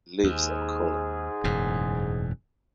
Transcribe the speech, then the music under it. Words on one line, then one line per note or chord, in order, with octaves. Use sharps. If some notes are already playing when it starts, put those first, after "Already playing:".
He lives in Khulna.
D#2 G#2 G#4
E1 F#2 A2